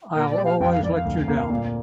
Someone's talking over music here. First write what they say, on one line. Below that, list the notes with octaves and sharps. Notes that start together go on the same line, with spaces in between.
I'll always let you down!
A#2 A#4
D5
G4
F5
F2 G5
F5
F2 D5
F5
D2
A#3
A#2